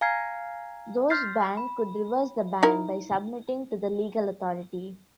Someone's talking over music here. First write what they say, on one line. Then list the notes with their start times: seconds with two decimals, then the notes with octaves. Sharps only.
Those banned could reverse the ban by submitting to the legal authority.
0.01 F5 G#5 A#5 F6 G#6 C7
1.10 C6 F6 G6 A6 B6 C7
1.57 B5
2.63 D#4 E4 A#4